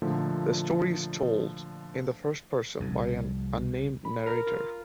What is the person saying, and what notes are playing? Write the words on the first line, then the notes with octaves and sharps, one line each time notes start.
The story is told in the first person by an unnamed narrator.
A#2 D3 F3 A3 D#4
C2 F2
B5
A#4
F4